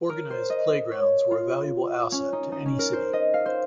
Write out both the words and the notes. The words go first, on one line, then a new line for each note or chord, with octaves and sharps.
Organized playgrounds were a valuable asset to any city.
A#4
C5
D#5
C#5
F4
C#4
D#4
D#4
C#4
A#4
C5
D#5
F5
C5